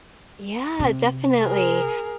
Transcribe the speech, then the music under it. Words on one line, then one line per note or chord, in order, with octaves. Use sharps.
Yeah, definitely.
C3
G#4 A#4